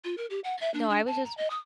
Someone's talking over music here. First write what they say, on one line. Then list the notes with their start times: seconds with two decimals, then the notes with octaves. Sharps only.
No, I was just
0.04 F4
0.18 A#4
0.30 G4
0.44 F#5
0.61 E5
0.74 D4
0.89 D4
1.07 A5
1.25 A#5
1.37 D#5
1.50 D#6